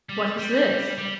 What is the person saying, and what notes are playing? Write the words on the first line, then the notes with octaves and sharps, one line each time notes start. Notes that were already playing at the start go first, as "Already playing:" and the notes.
What is this?
G3
G3
G3